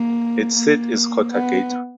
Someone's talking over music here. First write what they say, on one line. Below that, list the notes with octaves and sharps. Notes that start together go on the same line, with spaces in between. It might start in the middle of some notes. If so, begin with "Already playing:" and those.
Its seat is Cotagaita.
Already playing: A#3
A#3
B3